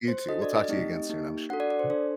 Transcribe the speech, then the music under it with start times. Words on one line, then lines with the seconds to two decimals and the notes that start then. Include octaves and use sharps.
You too. We'll talk to you again soon, I'm sure.
0.08 C5
0.29 D4 F#4 A4 D#5
0.42 D5
0.56 D#5
0.68 A3 C4 D#4 G4
1.09 A#3 D#4 G4
1.50 D4 F#4 A4 F#5
1.60 D5
1.70 D5
1.79 C5
1.90 D4 A4 C5